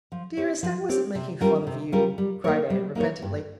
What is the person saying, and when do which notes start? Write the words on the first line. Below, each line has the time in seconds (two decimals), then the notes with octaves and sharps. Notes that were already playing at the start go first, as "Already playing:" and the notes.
"Dearest, I wasn't making fun of you," cried Anne repentantly.
0.12 F3
0.37 C4 G4 C#5
0.63 F3
0.89 C4 G4 C#5
1.15 C3
1.41 G3 C#4 F4 A#4
1.67 C3
1.92 G3 C#4 F4 A#4
2.18 G3
2.44 A#3 D#4 A#4 C#5
2.70 G3
2.95 A#3 D#4 A#4 C#5
3.22 G2